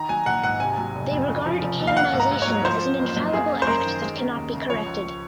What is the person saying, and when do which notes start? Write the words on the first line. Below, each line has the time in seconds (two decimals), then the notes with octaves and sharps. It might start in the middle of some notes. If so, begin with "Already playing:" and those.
They regard canonization as an infallible act that cannot be corrected.
Already playing: D#3 A#5
0.09 F#3 G#5
0.26 A#1 F#5
0.43 G#2 F#5
0.60 C3 G#5
0.78 F#3
0.95 F1
1.12 F2
1.28 C#3
1.46 F3
1.62 F1
1.80 D#2
1.87 F5
1.97 A#3 F#5
2.13 G#2
2.20 A#5
2.31 G#2
2.42 C#5
2.48 F#3
2.65 F3 C5
2.83 C4
2.99 F#1
3.17 F#2
3.33 A#3 G#4
3.50 C#4
3.62 C5
3.67 F#2 A#4
3.85 D#3
4.02 G#3
4.18 C#4
4.36 D#2
4.53 C#3
4.69 F3 C#5
4.86 C#2